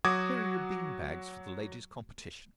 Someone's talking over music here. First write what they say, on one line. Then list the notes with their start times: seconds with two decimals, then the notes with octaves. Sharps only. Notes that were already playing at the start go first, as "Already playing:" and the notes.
Here are your bean-bags for the Ladies' Competition.
0.05 F#3 F#4 D6 D#6 G#6